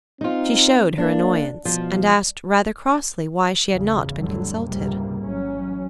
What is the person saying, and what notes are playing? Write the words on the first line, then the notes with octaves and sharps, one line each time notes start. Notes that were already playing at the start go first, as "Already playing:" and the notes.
She showed her annoyance, and asked rather crossly why she had not been consulted.
C4 D#4 F4
A#3 D4
B2 F3
G#1 E2 C#3
F2 A2 D3 F#3 G3
C#2 G#2 C3 G3 A#3
A1 F#3 C#4